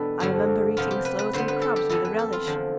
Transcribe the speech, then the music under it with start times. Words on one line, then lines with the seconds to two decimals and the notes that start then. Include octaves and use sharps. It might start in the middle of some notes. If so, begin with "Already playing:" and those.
I remember eating sloes and crabs with a relish.
Already playing: E2 B2 G3 D4 A4 B4
0.20 G2 D3 F3 A3
0.77 C3 F3 B3 F4
0.91 G4
1.05 B4
1.19 B4
1.33 D3 G3 B3 C5
1.48 B4
1.62 A4
1.76 G4
1.89 F2 E3 B3 E4 A4
2.05 B4
2.19 A4
2.33 F4
2.47 E2 D3 F3